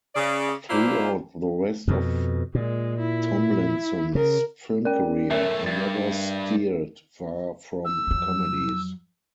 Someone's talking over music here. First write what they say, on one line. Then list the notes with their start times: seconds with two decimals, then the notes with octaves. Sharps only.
Throughout the rest of Tomlinson's film career, he never steered far from comedies.
0.15 C#3 D5
0.70 F#3 A#3 D4 E4 F4 C5
1.88 F2 B2
2.55 A#2 G#3
2.99 E4
4.15 C#3 A#4
4.85 C#4 A#4 D5 G5
5.31 F#2 A3 A#4 E5
5.66 G2 A6
7.85 E6
8.07 F2 F#3